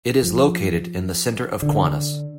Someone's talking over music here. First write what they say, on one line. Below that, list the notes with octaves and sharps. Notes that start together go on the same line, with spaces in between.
It is located in the center of Kaunas.
F3
D3